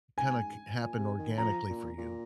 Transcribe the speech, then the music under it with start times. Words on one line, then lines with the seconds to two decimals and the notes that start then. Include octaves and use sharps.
kinda c happen organically for you?
0.17 G#2 G#5
0.77 A#2
0.98 C3
1.18 D#3
1.38 F3 A#5
1.69 A#2
1.98 A#2